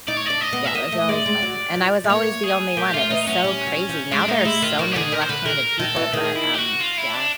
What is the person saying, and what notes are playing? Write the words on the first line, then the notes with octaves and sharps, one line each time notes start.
Yeah, it was always fun, and I was always the only one, it was so crazy, now there are so many left-handed people, but, um, yeah,
D#4 D5
C#5
D4 D5
D#5
B3
E5
A#3 D#5
A3
G#3 D5
G#3
F#3
F3
A3
A#3 C#5
G#4
A#3 G4
A3 F4
E3 D#4
F#3 C#4
G3
F#3
F3
G#3 D4
A3 D#4
G#3 E4
D#3 F4
D#3 F#4
G4
D3 G#4
D#3 A#4
C5
D3 B4
D3 A#4
D#3 A4
E3
D#3 G#4
E4
G4
F#4
F4
E4
D4